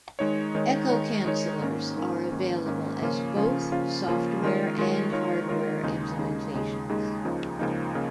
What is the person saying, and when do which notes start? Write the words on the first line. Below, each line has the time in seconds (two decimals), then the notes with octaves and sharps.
Echo cancelers are available as both software and hardware implementations.
0.19 D#3 G#3 D#4 C#5
0.55 D#3 G#3 D#4 C#5
0.89 D#3 G#3 D#4 C#5
1.25 D#3 G#3 D#4 C#5
1.60 G#2 D#3 A#3 C#4
1.96 G#2 D#3 A#3 C#4
2.31 G#2 D#3 A#3 C#4
2.66 G#2 D#3 A#3 C#4
3.02 C#3 F3 A#3 C#4 F4
3.36 C#3 F3 A#3 C#4 F4
3.72 C#3 F3 A#3 C#4 F4
4.08 C#3 F3 A#3 C#4 F4
4.43 D#3 G#3 F4 A#4 C#5
4.78 D#3 G#3 F4 A#4 C#5
5.12 D#3 G#3 F4 A#4 C#5
5.49 D#3 G#3 F4 A#4 C#5
5.83 D#2 C#3 G#3 D#4 G#4
6.19 D#2 C#3 G#3 D#4 G#4
6.54 D#2 C#3 G#3 D#4 G#4
6.89 D#2 C#3 G#3 D#4 G#4
7.25 C#2 C#3 F3 A#3 D#4
7.59 C#2 C#3 F3 A#3 D#4
7.95 C#3 A#3